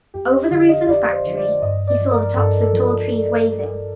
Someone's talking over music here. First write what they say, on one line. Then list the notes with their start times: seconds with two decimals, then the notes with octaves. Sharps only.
Over the roof of the factory he saw the tops of tall trees waving.
0.14 F2 G4
0.33 D#5
0.51 D3 F3 F5
0.69 D#5
0.88 F2 D5
1.13 C5
1.25 D3 F3
1.37 D5
1.62 G2 D#5
1.87 D5
2.00 F3
2.11 A#4
2.36 G2 A4
2.61 A4
2.73 F3